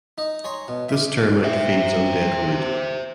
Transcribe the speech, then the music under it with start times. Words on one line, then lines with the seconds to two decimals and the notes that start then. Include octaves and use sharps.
This termite feeds on dead wood.
0.18 D#4 D#5
0.44 C#5 G#5 A#5 C6
0.68 B2
0.89 E5 D6
1.44 C5 E5